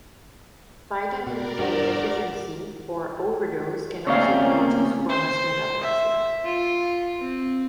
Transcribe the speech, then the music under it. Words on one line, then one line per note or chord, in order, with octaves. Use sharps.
Vitamin A deficiency or overdose can also lead to squamous metaplasia.
B2 A#4 D5
G2 G4 F#5
C#3 A3 A#3 C4 C#4 C#5 D5 F5
C5
E5
F4
C4